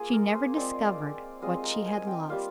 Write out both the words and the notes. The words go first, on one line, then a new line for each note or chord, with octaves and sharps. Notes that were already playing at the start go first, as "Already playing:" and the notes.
She never discovered what she had lost.
Already playing: A#3 F4 G#4
A#4
C5
G#3 C4 F4 D5
G#3 C4 F4 D#5
A#5
G#5
G5
G3 A#3 F4 F5